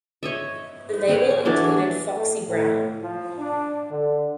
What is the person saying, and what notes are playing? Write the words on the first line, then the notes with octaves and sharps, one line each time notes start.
The label included Foxy Brown.
C#5 D#5 E5
C4 A#4 B4 C#5
C#6
E3 F#3 A3 D4
A3
A2
F3
D4
D3